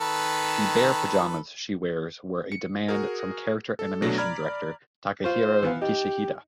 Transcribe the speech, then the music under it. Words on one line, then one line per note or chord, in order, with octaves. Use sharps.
The bear pajamas she wears were a demand from character animation director Takahiro Kishida.
D#3 A4 B4
C#7
F#4 G#4 A#4
A4
B2 F#3 A3 D4 A#6
D5 A#5 B5 F6 G#6
F4 C5 C#6
E3 B3 F5
D#4 G4